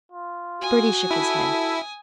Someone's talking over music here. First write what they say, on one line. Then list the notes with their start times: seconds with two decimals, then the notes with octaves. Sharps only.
Bertie shook his head.
0.12 F4
0.62 F#4 G#5 D#6
1.11 E4 A4